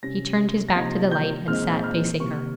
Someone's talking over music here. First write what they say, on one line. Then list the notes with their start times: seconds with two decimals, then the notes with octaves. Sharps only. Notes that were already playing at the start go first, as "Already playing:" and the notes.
He turned his back to the light, and sat facing her.
0.03 C3 G3 C#4 A#6
0.69 A#6
0.75 C3 F3 A#3 D#4 G#6
1.11 G6
1.47 A#2 G#3 C4 D#4 F6
1.84 F6
2.20 C3 D#3 A#3 C#6